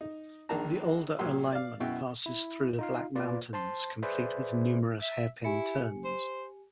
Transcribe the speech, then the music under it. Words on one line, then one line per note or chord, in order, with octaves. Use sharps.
The older alignment passes through the Black Mountains complete with numerous hairpin turns.
D#4
A#1 D#3 A#3 D4 A5 A#5
A#2 F#3 G4 C6
D5 F5
F#2 B2 E4 G5
E4
D#4 F4 F5
A#3 F4 B4 D5
C5 A5 C6
G#4 B4 C5 D5 E5
E5
E4 G4 G#5 C#7
C5